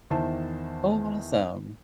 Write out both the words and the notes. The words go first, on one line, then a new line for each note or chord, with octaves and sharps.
Oh, awesome.
E2 D#3 E3 C5 E5 A5